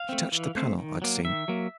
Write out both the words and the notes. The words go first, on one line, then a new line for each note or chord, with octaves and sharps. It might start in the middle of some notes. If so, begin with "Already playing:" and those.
She touched the panel I'd seen.
Already playing: F5
A3 C4
E3
A3 C4
D#3
F#3 A#3
D#3 E5
F#3 A#3